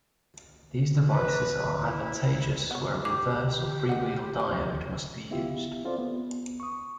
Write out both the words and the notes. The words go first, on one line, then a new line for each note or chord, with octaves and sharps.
These devices are advantageous where a reverse or freewheel diode must be used.
B4
E4
B3 C#5
G4 D6
D#5 F#5
D#3
B3 E4 F4 G4 E5
C4 F4 A4 C5 D5
B3
C#6 D#6